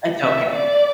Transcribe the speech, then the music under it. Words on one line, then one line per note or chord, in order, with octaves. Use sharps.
It's okay.
E5
D5